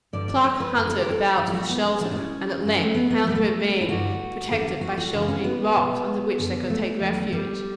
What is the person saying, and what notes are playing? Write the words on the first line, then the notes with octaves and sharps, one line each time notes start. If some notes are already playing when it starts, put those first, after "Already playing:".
Clark hunted about for shelter, and at length found a ravine protected by shelving rocks under which they could take refuge.
G2 D3 G3 D5
D5
C#5
B4
F#2 D3 G3 B4
A4
G4
A4
B2 F#3 G4
G4
F#4
B3
C#4
A2 G3 D4
D4
C#4
G2 D3 F#3
A3
B3
B3
A3
E2 B2 F#3 G3
A3
E4
G2 D3 G3 F#4
E2 D3 G3 A4
F#4
F#4
F#2 C#3 E3 G3 D4
C#4
B3
B2 G3
F#2 D3 G3
A3
E2 D3 F#3
G3